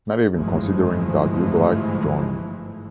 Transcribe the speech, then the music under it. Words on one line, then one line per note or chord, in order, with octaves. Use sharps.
Not even considering that you’d like to join.
G1 G#2 E3 F3 G#3 A3